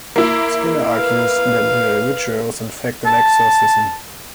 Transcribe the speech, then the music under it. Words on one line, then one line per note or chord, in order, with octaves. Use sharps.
Skinner argues that the ritual is in fact an exorcism.
A#3 E4
B4 F5
A5